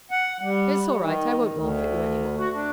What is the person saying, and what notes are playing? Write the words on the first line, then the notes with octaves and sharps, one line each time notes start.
It's all right; I won't laugh at you any more.
F#5
G3
D#3
D2
F#4
D4